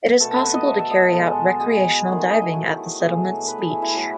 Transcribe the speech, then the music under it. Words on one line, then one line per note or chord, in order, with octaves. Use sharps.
It is possible to carry out recreational diving at the settlement's beach.
B2 A3 A4
A4
B4
D#5
E5
E5
D#5
B2 G#3 A4
G#4
D#3 F#3 A3 G#4
F#4
D#5
E4
F#4
B2 F#3 A3 G#4
B4
G#4
E4
E4
A2 F#3 A3